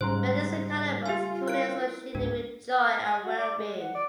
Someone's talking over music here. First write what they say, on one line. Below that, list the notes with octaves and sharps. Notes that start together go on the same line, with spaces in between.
Red is the color most commonly associated with joy and well being.
G#2 C#3 G3 C#4 C5 A#5 C6 F#6
F4 G4 G#5
E4 A#4 F#6 D7
C#2 G#2 D4
G#5
F#4
D5
G#3
F#5
D5